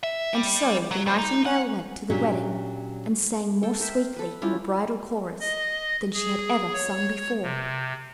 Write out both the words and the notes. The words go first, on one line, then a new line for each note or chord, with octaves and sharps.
And so the Nightingale went to the wedding and sang more sweetly in the bridal chorus than she had ever sung before.
E5
G3
F#3
A2 C5
D#4
F#5
A#2 F#3 C#4 D4 F4 G4
A4 G5
A#4 C5 E5
A4 B4
C#4 E4 F4 G4
D#5
G#4
C#5
C3